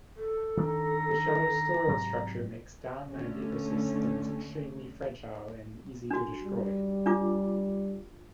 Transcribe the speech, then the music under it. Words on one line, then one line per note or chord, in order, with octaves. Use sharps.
This shallow soil structure makes downland ecosystems extremely fragile and easy to destroy.
A4
D#3 D4 A#5
G#2 C3 F#3
D3 A3 C#4
D4 F#4
G3
D4 F4 D6